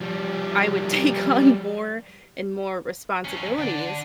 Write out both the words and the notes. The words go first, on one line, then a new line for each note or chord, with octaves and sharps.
I would take on more and more responsibilities,
F3 G3
F2 C#4
D3 D5